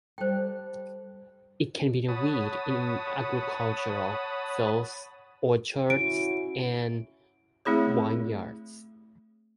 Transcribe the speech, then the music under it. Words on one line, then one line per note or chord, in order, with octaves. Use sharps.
It can be a weed in agricultural fields, orchards, and vineyards.
G3 A4 C5 G5
C#5 F#5 A5 B5 D#6
C#4 E4 F#4 D7
A3 C4 E4 G#4 C#5